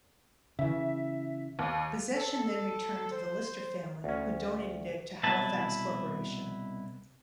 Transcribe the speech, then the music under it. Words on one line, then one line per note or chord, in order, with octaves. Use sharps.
Possession then returned to the Lister family, who donated it to Halifax Corporation.
C#3 E3 E5
D#2
A4
C5
D2 C#4
C2 B2 E4 B4 A5